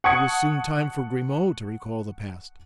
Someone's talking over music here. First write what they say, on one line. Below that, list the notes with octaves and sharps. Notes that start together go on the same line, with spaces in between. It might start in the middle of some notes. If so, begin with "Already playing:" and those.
It was soon time for Grimaud to recall the past.
F#5 A5 C#6 D#6 G#6 C#7